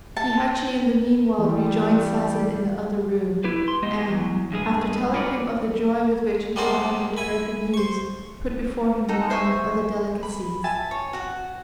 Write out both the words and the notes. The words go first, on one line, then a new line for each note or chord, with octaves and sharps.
Kihachi in the meanwhile rejoined Sazen in the other room, and, after telling him of the joy with which his daughter had heard the news, put before him wine and other delicacies.
A5
E3 G3 G#4
E4 G4 B4
C6
G#3 B3 G4 D#5
E2 F#3
G2 G#3 G#4 B4
F4 F#4 A#4 B4 C#5 D5
G3 G#3 A#3 D4 F#4 C5
E4 G#5 B5
C5 C#6
D#4 F#4 A4
C5 E5 G#5 C#6
B5
E5 G#5 A5
C#5
F#4 F#5